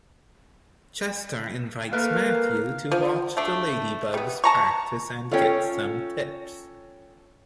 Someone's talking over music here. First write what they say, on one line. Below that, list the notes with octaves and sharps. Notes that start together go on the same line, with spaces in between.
Chester invites Matthew to watch the Ladybugs practice and to get some tips.
A3 A#3 A#4 B4 F5
F3
A3 D4
G3 B3
A5 A#5 C#6
C#4 F4 A4 C#5 G5